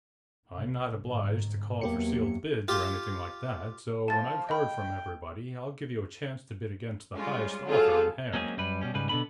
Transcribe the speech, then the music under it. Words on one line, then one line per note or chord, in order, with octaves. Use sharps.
I'm not obliged to call for sealed bids, or anything like that, so when I've heard from everybody, I'll give you a chance to bid against the highest offer in hand.
C2
G1 G#2
E2 F#3 A#3 G4 C#7
F4 G4
F3 A5 A6
D#5 G5 B5
G3 G#3 C#4 F4
F#3 C4 F4 G#4 A4 F5
F#3 G#3 A#3 C4 C#4 G#4
F#2 G3 B4
B2 G3 C#4
G#2 C#3 G3 B4
B2 D3 B3 D4 B5